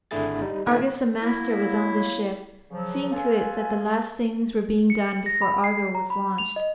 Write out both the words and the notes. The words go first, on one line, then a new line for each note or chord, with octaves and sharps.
Argus the master was on the ship, seeing to it that the last things were being done before Argo was launched.
G#1 D3 A3 E4 G#4 A6
G3 D#4
A#2 D#3 A3 A#3 C4 G#6
F#3 A#3 E4
C#3 F3 F#3
F4 G#4 A4 B4 G#5
C#7
A#6
B5
C7
A#5
B5
F7
D#5